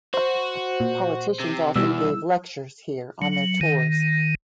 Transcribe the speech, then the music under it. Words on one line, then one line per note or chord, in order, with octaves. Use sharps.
Politicians often gave lectures here on their tours.
F#4 C5
A#2
C3
E2 B2 G3 E4 E6
F#3
D#3